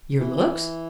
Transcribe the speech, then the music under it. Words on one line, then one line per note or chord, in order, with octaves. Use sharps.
"Your looks?"
E3